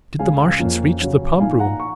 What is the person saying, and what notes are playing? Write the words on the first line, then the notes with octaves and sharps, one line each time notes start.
Did the Martian reach the pump room?
C#2 C#3 G#3 F5 G#5
F2 F3 A#3 C#4
C#3 F#3 C#4
A#2 F3 A#3 D#4 F5 G#5
F#5 A#5
C#6